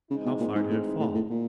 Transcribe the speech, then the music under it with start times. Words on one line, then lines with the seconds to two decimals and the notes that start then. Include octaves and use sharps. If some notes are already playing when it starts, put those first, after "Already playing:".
How far did it fall?
0.10 C#3 E3 G#3 C4 D#4
0.25 B2
0.39 A#2
0.55 G#2
0.70 A2
0.99 A2
1.14 A2
1.30 A#2